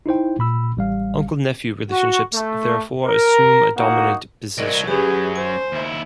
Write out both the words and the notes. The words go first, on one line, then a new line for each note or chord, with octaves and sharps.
Uncle-nephew relationships therefore assume a dominant position.
D#4 E4 C5 G5
A#2 B5 E6
A1 G3 F5
F#4
A3
A#4
A#3 D#4 F#4 F#5
C2 F#3 A#4 D5 D#5
F#2 F#3 C#4 G4 G#4 B4
C5 G#5
D#2 E4